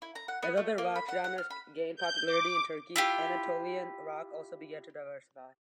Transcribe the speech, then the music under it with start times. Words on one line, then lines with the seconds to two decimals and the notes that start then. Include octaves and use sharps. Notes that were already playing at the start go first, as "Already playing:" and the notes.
As other rock genres gained popularity in Turkey, Anatolian rock also began to diversify.
0.02 E4
0.15 A#5
0.28 F#5
0.43 B3
0.57 A3
0.78 A#3
0.96 B5
1.09 F#5
1.24 F#5
1.38 F6
1.50 B5
1.96 G6
2.25 D6
2.96 E4 F4 G4